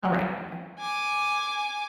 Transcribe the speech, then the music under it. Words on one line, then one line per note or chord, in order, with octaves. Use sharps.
Alright. Bye-bye.
G#5 D6